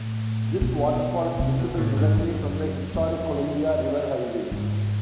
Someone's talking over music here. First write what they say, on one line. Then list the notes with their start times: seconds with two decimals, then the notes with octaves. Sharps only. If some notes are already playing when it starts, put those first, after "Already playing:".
This waterfall is visible directly from the Historic Columbia River Highway.
Already playing: A2
0.61 B2
1.39 C3
1.59 B2
1.78 A2
1.97 G#2
2.17 F#2
2.94 F2
4.52 G#2